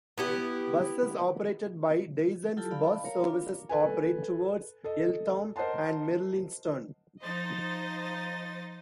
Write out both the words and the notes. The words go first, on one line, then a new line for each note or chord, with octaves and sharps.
Buses operated by Dyson's Bus Services operate towards Eltham and Merlynston.
B3 E4 G4
F#3 E4 F4 G4 A4 A5
D5 F5 B5
A#4 C#5 F5 A#5
D4 F4
A4 B4 G#5
A4 D#5
A#4 C5 D#5 F#5 A5 C6
F3 D#4 C5 D#5 A6